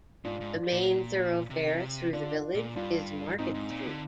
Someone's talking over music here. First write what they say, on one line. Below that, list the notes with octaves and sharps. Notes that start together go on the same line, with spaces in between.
The main thoroughfare through the village is Market Street.
G#2 D4 F4
G#2
A#2
C3
D3 D4 F4
A#2
G2 D4 F4
G#2 C4 D#4
G#2
A#2
D3